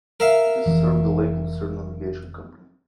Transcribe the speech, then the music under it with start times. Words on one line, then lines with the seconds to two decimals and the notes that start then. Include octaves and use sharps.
It is served the Lake Lucerne Navigation Company.
0.20 A#4 E5 F5
0.66 F1 E3